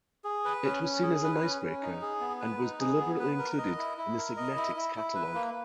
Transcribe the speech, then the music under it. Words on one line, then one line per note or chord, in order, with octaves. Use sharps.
It was seen as "an icebreaker" and was deliberately included in the Signetics catalog.
G#4
B4
C#4
C#4
G#4
B4
C#4
C#4
D#4
G#4
B3
B4
D#4
G#4
B3
B4
A#4
D#5
E4
E4
A#4
D#5
E4
E4
E4
B4
A#3